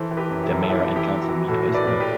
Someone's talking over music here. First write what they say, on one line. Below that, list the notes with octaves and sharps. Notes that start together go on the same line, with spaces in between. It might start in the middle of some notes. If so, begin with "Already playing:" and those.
The mayor and council meet twice a month.
Already playing: E3 A4 C5
E3
G4 B4
F#2
E4 G4
F#2
A4
E3 E4 G4
E3
E4 G4
E3
F#4
E3
A2 F#4 A4
A2
B4 D5
A2
G4 B4